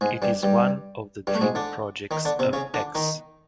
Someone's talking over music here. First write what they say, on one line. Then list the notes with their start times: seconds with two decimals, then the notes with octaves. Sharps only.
It is one of the dream projects of Ex.
0.01 G#2 G#3
0.22 G2 G3
0.43 G2 G3
1.27 G2 G3
1.35 A3
1.41 G#2 G#3
1.55 D3 D4
2.11 D#3 D#4
2.25 D3 D4
2.39 C3 C4
2.53 C#3 C#4
2.74 D3 D4
2.95 D#3 D#4